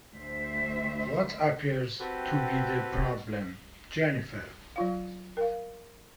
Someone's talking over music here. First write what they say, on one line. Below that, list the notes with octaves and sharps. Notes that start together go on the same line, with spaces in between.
What appears to be the problem, Jennifer?
D2 C5 E5
C4 F#4 G4 A4 B4
F#3 F4 F5
A#4 F5